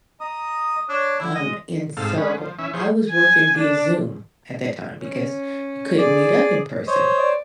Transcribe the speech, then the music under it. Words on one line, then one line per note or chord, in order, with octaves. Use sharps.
Um, and so I was working via zoom at that time because you couldn't meet up in person
D#5 A#5 D#6
D4 C#5
D3 E4
G#3 D#5
G#2 C3 A4 F5 E6
G#3 C#4 B4
F3
E3 C#4 E5
E3 F3 G#4 C5 C#5
G#5
D4
C#4
G#4 D5
C5 C#5 D#5
D5